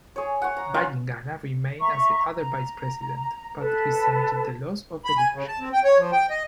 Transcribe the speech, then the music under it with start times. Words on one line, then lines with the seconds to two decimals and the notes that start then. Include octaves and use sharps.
Bayingana remained as the other vice-president, but resented the loss of the leadership.
0.16 G#4 C#5
0.42 F#5 C#6
0.57 A#5
0.74 C#4 F4
1.79 E5 A#5 C#6
2.32 A#5
3.60 A4 B4 A5
5.05 B5
5.17 G#5
5.35 C#3
5.48 A5
5.60 C4
5.73 G5
5.84 C#5
5.99 F3
6.13 G5
6.30 D#5